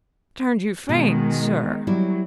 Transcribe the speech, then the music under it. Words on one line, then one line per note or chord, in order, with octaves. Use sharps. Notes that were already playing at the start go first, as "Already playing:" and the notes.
'Turned you faint, sir!
B2 D#3 G#3
F#3 G3 E4